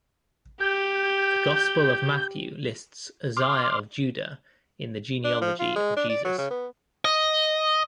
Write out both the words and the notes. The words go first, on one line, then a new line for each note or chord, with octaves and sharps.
The Gospel of Matthew lists Uzziah of Judah in the genealogy of Jesus.
G4 G6
C6 D6 F6
D4
F3
F4
G#3
D4
D5
F#3
C#3
B3
D#5